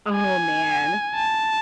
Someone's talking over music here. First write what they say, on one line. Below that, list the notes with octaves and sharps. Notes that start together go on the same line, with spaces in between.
Oh, man.
G#5
A5